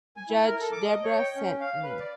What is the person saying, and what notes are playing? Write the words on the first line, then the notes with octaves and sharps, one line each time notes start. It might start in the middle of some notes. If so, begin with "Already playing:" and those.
Judge Debra sent me.
G#5
E4
A#4
A4
D6
D#5
C#5
G5
C#4
F5
B4
D5